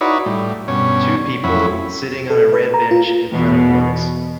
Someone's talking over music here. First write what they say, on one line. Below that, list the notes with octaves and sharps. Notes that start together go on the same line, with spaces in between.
Two people sitting on a red bench in front of books.
D#4 E4 F#4 B4 C#5 D5
A2 G3
G2 B2 C#4 C#5
F2 F#3 C#4 E4 B5
A4
B4
A#5
F4
E2 B2 E3